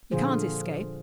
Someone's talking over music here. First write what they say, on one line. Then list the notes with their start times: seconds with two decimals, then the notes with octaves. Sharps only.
You can't escape.
0.11 A#2 D3 F3 F4 G#4 C5